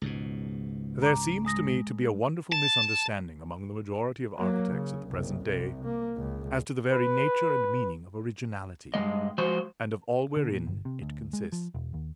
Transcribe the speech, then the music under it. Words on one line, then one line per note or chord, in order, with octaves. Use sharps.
There seems to me to be a wonderful misunderstanding among the majority of architects at the present day as to the very nature and meaning of Originality, and of all wherein it consists.
C#2 G#2 B2
A#5 D6
G#3 D#6 A#6
A5
F#3 A#3
C#3
F#1 C2
C2 C3
A#3
C#2
B4
G2 C#3 G#3 D#5
F3 G#3 F#4 C5
D3
A#2
G1
C3
D2
G#3
F3
E1
D#2